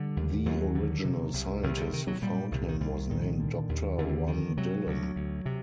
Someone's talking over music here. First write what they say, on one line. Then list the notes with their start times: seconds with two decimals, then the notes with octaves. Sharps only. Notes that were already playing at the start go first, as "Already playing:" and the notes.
The original scientist who found him was named Doctor Ron Dillon.
Already playing: D3 G3
0.17 D#2
0.46 D#2 F#3
0.75 D3
1.05 C3
1.33 C2
1.63 C2 D#3
1.78 D3
1.93 C3 D#3
2.07 F#3
2.22 A#2 G3
2.52 C2 D#3
2.61 D3
2.68 D#3
2.81 C2 D#3
3.10 A#2 D#3
3.40 D3
3.69 D#2
3.98 D#2 D3
4.27 D3 D#3
4.57 C3 F#3
4.87 D2
5.16 D2
5.46 C3